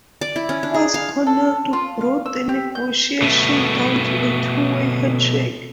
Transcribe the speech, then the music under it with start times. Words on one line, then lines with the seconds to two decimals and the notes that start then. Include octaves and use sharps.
Fast Connect brought the negotiation down to a two-way handshake.
0.21 D5
0.36 E4
0.49 C#4
0.63 D4
0.74 G#4
0.94 F5
1.27 A4
1.73 F4
2.01 F5
2.26 E6
2.49 G4
2.75 G6
3.22 B2 A3